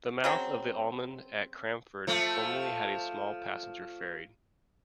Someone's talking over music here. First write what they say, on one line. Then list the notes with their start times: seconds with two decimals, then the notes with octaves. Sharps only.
The mouth of the Almond at Cramond formerly had a small passenger ferry.
0.24 C#3 F#3 C4
2.07 F3 A3